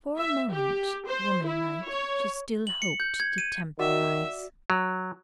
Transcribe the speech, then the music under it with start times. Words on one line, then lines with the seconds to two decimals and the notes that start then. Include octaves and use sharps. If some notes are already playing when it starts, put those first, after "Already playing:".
For a moment--woman-like--she still hoped to temporise.
0.18 E5
0.51 G4
1.08 C5
1.46 E4
1.89 C#5
2.67 F#7
2.82 C#7
3.00 G6
3.20 G#6
3.38 D#7
3.79 D#3 F#4 D5 E5
4.70 F#3